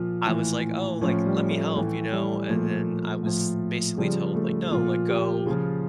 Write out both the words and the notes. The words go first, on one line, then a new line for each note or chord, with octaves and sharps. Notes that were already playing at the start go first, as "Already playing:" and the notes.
I was like, "Oh," like, "let me help." You know? And then I was basically told, like, "No," like, "Go
Already playing: A#2 F3 F4
A2 E3
A2 F3 C#4
G3
A3
A2 E3 A3
G3
A#2 F3 A3
A2 F3
C#3 F3 G3
A3
A#2 F3 F4
G4
C#3 F3 F4